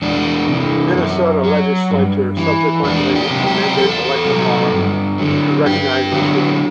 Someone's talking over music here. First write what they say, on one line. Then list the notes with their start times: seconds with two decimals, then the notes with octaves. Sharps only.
The Minnesota Legislature subsequently amended election law to recognize this ruling.
0.02 E2 D4
0.49 C3 E3
0.97 F#2
1.44 F#3
1.91 G2
2.37 E3
2.83 E2 D4
3.15 G4
3.30 C3 F#3
3.47 G4
3.77 E2 A4
4.25 C3 F#3
4.72 G2
5.18 D3 F#3
5.65 G2 G4
6.12 D3 F#3